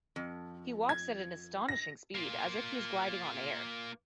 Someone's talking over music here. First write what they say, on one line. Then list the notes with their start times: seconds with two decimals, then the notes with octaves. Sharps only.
He walks at an astonishing speed, as if he is gliding on air.
0.16 F2
0.89 G#6
1.69 A#6
2.15 A#3 F4